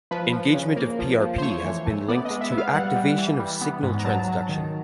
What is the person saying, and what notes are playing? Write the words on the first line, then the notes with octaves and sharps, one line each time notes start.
Engagement of PrP has been linked to activation of signal transduction.
F3 B4
F3
C#3
A#3
F3
F3
C5
A3 C#5
E3
A3
B3 D5
D#5
G#3
E5
B3
F5
G3 F#5
G3
E3
G3
B3
G#2
A#5
F#3 A5
F#3
D#3